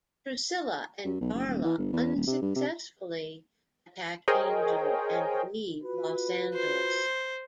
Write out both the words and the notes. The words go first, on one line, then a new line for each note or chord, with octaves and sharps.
Drusilla and Darla unsuccessfully attack Angel and leave Los Angeles.
F#2
B1
F#1
D#1
E3
G1
E2
D#1
C3
G2
C3
G#4 A#4 C5 C#5 D#5 G5
F4 F#4 B4
C5